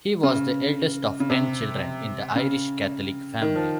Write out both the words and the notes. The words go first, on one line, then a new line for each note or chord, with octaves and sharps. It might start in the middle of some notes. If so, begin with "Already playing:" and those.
He was the eldest of ten children in the Irish Catholic family.
C#3
C#3
C3
C#3
D#3
F3